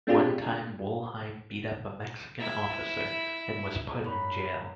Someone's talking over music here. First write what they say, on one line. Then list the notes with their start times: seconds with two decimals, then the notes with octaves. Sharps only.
One time Wolheim beat up a Mexican officer and was put in jail.
0.07 A3 C4 D4 F4 G4 G#4
2.40 E4
4.04 F#2 B5